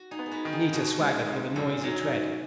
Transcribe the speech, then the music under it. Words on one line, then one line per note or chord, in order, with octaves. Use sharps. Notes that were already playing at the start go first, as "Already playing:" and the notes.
Anita swaggered with a noisy tread.
Already playing: F#4
D#4 G#4
B3
G#4
F#4 B4
D#3
D#4 G#4
B2
G#3
C#2
F#2 C#4 F#4
F#3 D#4 G#4